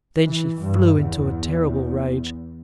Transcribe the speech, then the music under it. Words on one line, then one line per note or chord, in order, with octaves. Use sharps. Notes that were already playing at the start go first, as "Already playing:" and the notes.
Then she flew into a terrible rage.
E3
G2
E2